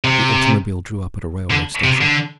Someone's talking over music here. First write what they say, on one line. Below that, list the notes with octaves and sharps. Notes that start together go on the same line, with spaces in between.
The automobile drew up at a railroad station.
C3
D3
C3
D3